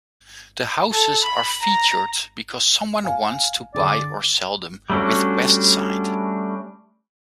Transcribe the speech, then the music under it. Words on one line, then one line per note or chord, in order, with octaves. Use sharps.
The houses are featured because someone wants to buy or sell them with Westside.
A4
B5
A#5
F5 G#5
D3 G#4 D5
G3 A3 C#4 D4 F#4